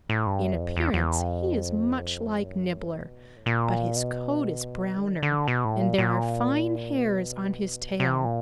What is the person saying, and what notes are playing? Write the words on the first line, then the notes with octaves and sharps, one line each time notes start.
In appearance he is much like Nibbler, but his coat is browner and there are fine hairs on his tail.
A2
G2
F#2
E2
F2
E2
E2
F2
G2
F#2
B2
A2
A#2
B2
D3
D#3
D3
D3
B2
A2
A#2
A#2
B2
C3
A#2